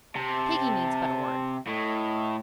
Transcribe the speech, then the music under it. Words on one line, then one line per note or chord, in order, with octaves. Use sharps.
Piggy needs but a word.
C3 A5
A2 D#5